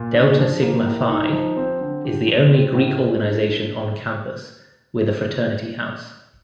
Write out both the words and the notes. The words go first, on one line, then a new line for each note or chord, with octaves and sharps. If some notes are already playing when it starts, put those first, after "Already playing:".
Delta Sigma Phi is the only Greek organization on campus with a fraternity house.
Already playing: A#2
D4
F3
A#3
A2
D#4
F3
C4
D3
G4
F3
C4
A2
C5
D4